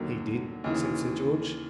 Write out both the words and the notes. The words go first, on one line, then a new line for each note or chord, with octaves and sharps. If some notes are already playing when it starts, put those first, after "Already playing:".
"He did," said Sir George.
Already playing: D#2 D3 F#3 A#3
D#2 C#3 E3